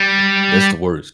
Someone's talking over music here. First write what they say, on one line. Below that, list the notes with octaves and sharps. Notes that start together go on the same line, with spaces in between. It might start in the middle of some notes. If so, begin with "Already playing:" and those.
Like, that's the worst.
Already playing: G3